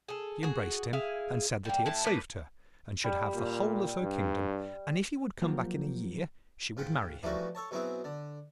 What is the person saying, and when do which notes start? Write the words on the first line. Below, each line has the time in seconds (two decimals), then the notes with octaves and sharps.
She embraced him, and said that he had saved her, and should have the whole of her kingdom; and if he would come back in a year she would marry him.
0.08 G#4 A4
0.43 F#4 G#4
0.93 E4 G#4 F5
1.65 G3 A#3
1.86 A2 E4 A5
2.04 A2 A#3 B4
3.04 G3
3.34 A#2
4.01 G2
5.42 F3 F#3 A#3 C4 F4 G4
6.77 G#2 F4 F#5 G5 B5
7.23 E3 F3 G3 A3 D#4 F#4
7.55 A4 C#5 A5
7.71 B2 F#3 C4 E4 G#4
8.04 D3